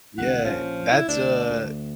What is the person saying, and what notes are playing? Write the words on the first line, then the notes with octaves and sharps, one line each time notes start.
Yeah. That's a
E1 C2 D3 F#5
A#1 E3 F3 C#4
E4
D2 D4
D2